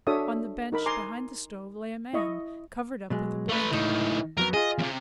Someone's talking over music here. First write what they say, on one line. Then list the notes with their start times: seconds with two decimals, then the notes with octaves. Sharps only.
On the bench behind the stove lay a man, covered up with a blanket.
0.07 D4 F#4 A4 C#5 E5 D#6
0.72 D#4 A#4 B5
0.86 G#5 A#5 C6 D6
2.13 E4 D#5 C#6
3.10 B2 F#3 G#3
3.49 A3 B4
3.71 C#2 A2 E3 D#4
4.37 F2 F#3 B3 A#4
4.54 F4 G#4 D#5
4.78 E2 C3